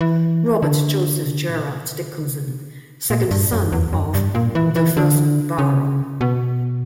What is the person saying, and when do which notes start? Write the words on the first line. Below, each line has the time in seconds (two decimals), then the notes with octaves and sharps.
Robert Joseph Gerard-Dicconson, second son of the first Baron.
0.01 E3
0.62 D3
1.50 A#2
1.62 B2
1.75 C#3
1.87 D3
3.10 A#2
3.31 G2
3.53 F#2
3.72 E2
3.93 F#2
4.14 G2
4.35 A#2
4.55 E3
4.76 E3
4.97 D3
5.58 C#3
6.21 B2